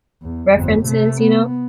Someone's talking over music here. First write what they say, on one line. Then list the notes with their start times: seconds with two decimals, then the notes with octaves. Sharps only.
references, you know?
0.23 E2
0.53 G1 F2
0.85 C3 A3
1.22 B3